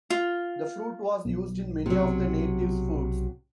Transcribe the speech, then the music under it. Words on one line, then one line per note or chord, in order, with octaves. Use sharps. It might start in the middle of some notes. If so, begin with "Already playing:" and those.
The fruit was used in many of the natives' foods.
F4
B1
C3 F#3